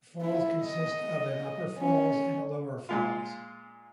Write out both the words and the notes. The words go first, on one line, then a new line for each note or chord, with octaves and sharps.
The falls consists of an Upper Falls and a Lower Falls.
E4
D#5
C#4
A#2 G#3 F4